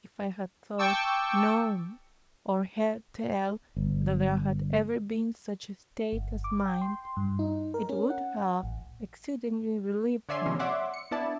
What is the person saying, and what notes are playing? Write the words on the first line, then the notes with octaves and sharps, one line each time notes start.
If I had thought, known, or heard tell, that there had ever been such a state as mine, it would have exceedingly relieved me.
G5 A5 C#6 D6 E6
G1
G1
D6
G5
C6
G2
D#4
A#4
C#4
F#5
A1
D3 C#5 D5 E5 G#5 C6
C3 F3 G3 G#3 A#3 C#4
C#5 D5 E5 F#5 C6 D6
C#7
B3 D4 E4 D5 A5